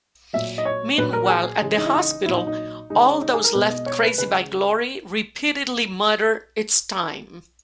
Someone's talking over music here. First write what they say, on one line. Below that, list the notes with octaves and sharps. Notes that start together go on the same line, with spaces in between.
Meanwhile, at the hospital, all those left crazy by Glory repeatedly mutter, It's time.
A#2 F#3 E5
D#5
C#5
A#2 F#3 B4
A#4
F#4
G#4
C#3 E3 G#3
D#4
E4
D#4
A#2 F#3 E4
D#4
D#4
C#3 G#3 D#4
C#4
D#4
G#4
A#4
B2 G#3 B4
D#5
C#5
B4
C#3 G#3 B4